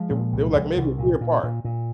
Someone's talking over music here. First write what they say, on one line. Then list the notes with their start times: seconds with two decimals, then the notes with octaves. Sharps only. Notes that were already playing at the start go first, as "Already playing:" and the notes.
They were they were, like, maybe a year apart.
Already playing: F3 G#3
0.10 A#2
0.33 C2
0.55 C2
0.77 C2
0.98 A#2
1.21 A#2
1.43 A#2
1.65 A#2